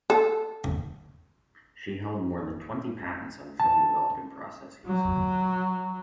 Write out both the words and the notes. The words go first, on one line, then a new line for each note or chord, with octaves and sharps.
She held more than twenty patents on film developing processes.
A4
A5
F#3